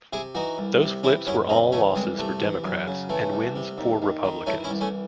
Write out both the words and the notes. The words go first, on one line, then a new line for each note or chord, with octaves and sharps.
Those flips were all losses for Democrats and wins for Republicans.
C3 E4 G#4
E3 D#4 F#4
C2
C3
E3 C#4 E4
F#2 C#4 E4
C#3 C4 D#4
E3 A3 C#4
C2 G#3 C4
C3 A3
E3
F#2
C#3
E3 A3
C2
C3
D#2
D#2
D#3
E3 A3 C#4
C#4 E4
C2
A3 C#4